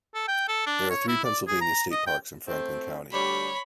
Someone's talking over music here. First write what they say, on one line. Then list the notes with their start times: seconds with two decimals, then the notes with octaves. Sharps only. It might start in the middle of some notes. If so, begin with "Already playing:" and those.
There are three Pennsylvania state parks in Franklin County.
0.15 A4
0.28 G5
0.48 A4
0.67 D4
0.90 C#5
1.08 E4
1.25 D5
1.48 G#4
1.61 A#5
1.92 D#5
2.07 G5
2.47 A3 C4
3.11 D2 G3 C#5 B5